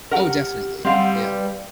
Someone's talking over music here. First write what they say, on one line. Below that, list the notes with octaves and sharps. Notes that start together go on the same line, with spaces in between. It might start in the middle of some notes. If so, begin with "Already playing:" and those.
Oh, definitely, yeah.
G4 A#4 F#5
G3 C4 F5 F#5
B4